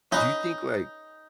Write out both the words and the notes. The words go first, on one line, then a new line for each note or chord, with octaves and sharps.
do you think like
C#4 D#4 G#4 B4 D#5